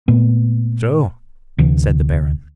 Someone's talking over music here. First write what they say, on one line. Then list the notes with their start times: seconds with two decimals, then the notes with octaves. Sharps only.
"So?" said the Baron.
0.08 A#2 A3 B3
1.58 D2 C3 E3